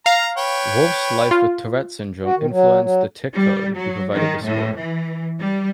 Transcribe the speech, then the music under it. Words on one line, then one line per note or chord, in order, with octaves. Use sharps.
Wolff's life with Tourette syndrome influenced "The Tic Code"; he provided the score.
F5 A#5
B4 C#5 G5
F4
F#4
D#3
F#3
F#3
G3
F#3
D#3
A2
E3
G3